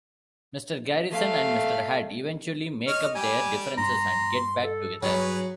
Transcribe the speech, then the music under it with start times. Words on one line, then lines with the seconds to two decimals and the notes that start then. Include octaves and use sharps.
Mr. Garrison and Mr. Hat eventually make up their differences and get back together.
1.11 A3 F5
2.88 C#5 D#5 F6
3.15 G3 G4 G#5
3.78 G2 A#5 C6
4.64 A4
5.03 G2 F#3 G#4 B4 C#5